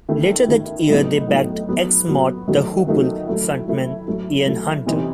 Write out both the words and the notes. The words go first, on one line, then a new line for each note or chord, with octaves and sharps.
Later that year they backed ex-Mott the Hoople frontman Ian Hunter.
D#3 A3 E4
D#3 A3 E4
A2 F#3 B3 D#4
A2 F#3 B3 D#4
F#3 B3 F#4
F#3 B3 F#4
D#3 F#3 A3 D#4 F#4
D#3 F#3 A3 D#4 F#4
F#3 A3 E4
F#3 A3 E4
F#3 A3 E4
F#3 A3 E4
C3 E3 G3 C4 D#4